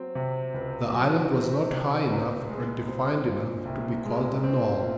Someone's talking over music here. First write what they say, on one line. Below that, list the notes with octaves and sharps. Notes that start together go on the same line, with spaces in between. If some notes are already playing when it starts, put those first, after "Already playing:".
The island was not high enough or defined enough to be called a knoll.
Already playing: F#3 C4
C3
C#2
F#3
C4
C3
C#2
G#3
C4
A#2
C2
G#3
C4
A#2